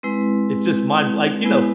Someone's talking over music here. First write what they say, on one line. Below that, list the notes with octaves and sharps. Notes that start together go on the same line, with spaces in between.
It's just mind like, you know?
G#3 C4 E4 B4
G#3 B3 E4 B4